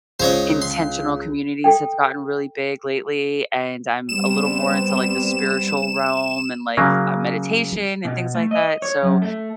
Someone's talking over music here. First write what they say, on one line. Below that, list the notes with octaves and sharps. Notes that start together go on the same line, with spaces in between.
intentional communities have gotten really big lately, and I'm a little more into, like, the spiritual realm and, like, uh, meditation and things like that. So,
C#2 C5 C#5 D#5
C6
A4 G5
G3 B3 C4 E7
C#3 F#3 A#3
B2
A3
D#5
C#5
F#2
A3